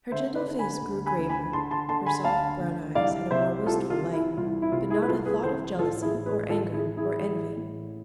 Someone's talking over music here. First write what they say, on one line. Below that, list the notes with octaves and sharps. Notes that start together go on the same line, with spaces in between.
Her gentle face grew graver, her soft brown eyes had a more wistful light, but not a thought of jealousy, or anger, or envy.
D3 C5 E5
B4 D5
D3
G#5 B5
D2
G#5 B5
D2
G#5 B5
D3 A5 C6
A5 C6
D3 A5 C6
G#5 B5
D2 F5 A5
D2
C2 D5 F5
C3 C5 E5
C2 F4 A4
F4
E3
E4
C2 F4
E4
C3 F4
E4 G#4
B4
C2 F4 A4
G#4 B4
E3 A4 C5
A1 F4 A4
E4 G#4
A2
G#4 B4
A1 F4 A4
E4 G#4
E3
E4 G#4
A1
A2